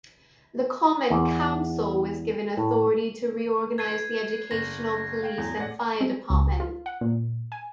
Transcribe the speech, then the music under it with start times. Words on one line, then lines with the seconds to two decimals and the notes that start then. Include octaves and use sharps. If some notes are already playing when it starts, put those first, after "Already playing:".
The common council was given authority to reorganize the educational, police, and fire departments.
1.10 E2
2.57 A2
3.78 B4 G#6 C7 D#7
4.51 F#1 A#6
5.22 F5 G5
5.38 E2 F#3 G5
5.56 A1 D5 F#5
6.01 C4
6.30 C#2
6.60 F4
6.86 F#5
7.01 A#2
7.52 G#5